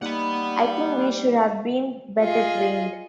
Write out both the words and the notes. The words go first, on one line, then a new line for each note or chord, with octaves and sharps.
I think we should have been better trained.
G3 A#3 D#4 F#5 B5
F4 G#4 D#5 F5